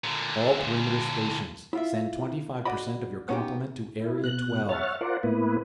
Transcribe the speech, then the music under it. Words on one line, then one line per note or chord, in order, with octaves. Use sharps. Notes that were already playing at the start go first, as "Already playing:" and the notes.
"All perimeter stations send twenty-five per cent of your complement to Area Twelve."
A#2 D3
E4 F4 E5
F#4 D5 D#5 B5
B3 C#4 D#4 F#4 G4
E4
B2 F#6
C#5 E5 F#5 F6 A6
F4 A#4 C5 D5 F#5
A2 A#3 B3 E4 B4